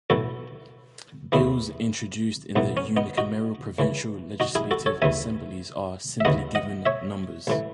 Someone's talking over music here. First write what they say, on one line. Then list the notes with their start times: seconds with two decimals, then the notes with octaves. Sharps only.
Bills introduced in the unicameral provincial legislative assemblies are simply given numbers.
0.10 B1 A2 E3 F#4 A4
1.32 D#2 C#3 E3 E4 G#4
2.56 B1 A2 E3 B3
2.77 C#4
2.97 B3 D#4
3.18 D#4 F#4
3.79 C#2 C#3 E3
4.40 D#4 F#4
4.55 E4 G#4
4.71 F#4 A4
4.86 A4 C#5
5.02 D#2 C#3 E3 E5 G#5
6.20 E5
6.25 D#2 C#3 E3 D#5 F#5
6.55 D#5 F#5
6.86 C#5 E5
7.47 A1 A2 E3